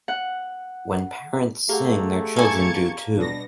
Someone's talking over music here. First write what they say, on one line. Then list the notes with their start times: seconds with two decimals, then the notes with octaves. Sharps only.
When parents sing, their children do too.
0.08 F#5
1.69 A3 A#3 G4 G#4 F#5
2.36 A#3 G#5 A5 C#6 G#6
3.17 B2 G3 D4 A#6